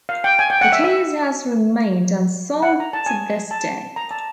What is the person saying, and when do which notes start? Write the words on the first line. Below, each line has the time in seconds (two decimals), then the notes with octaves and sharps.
The case has remained unsolved to this day.
0.09 F5
0.24 G5
0.39 G#5
0.50 G5
0.61 F#5
0.72 E5
0.84 E5
2.63 F#5
2.80 A#5
2.93 A5
3.06 G#5
3.51 A5
3.96 A#5
4.11 A5